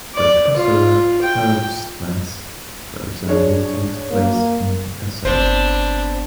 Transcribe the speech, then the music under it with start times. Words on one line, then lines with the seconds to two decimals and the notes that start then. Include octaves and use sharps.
The Kuseler Herbstmesse, for example, takes place in Kusel.
0.15 D5
0.57 F4
1.23 G5
3.28 D4 G#4 C#5
4.11 A#3
5.25 G1 B3 C4 D4 C5